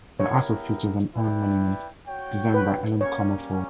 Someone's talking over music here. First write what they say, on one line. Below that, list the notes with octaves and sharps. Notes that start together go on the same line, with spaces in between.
It also features an urn monument designed by Helen Comerford.
B3 E4 G4 A#4 C#5
E4 B4 D5 G5
F#4 C#5 G5
B4
G3 A#3 C#4 C#5